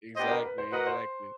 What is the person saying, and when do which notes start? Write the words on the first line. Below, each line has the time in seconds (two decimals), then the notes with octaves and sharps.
Exactly exactly,
0.15 B3 D4 G4 C5 D#5
0.30 A#4
0.44 B4
0.58 C5
0.72 F#4 A#4 B4 D#5 F#5
0.87 C5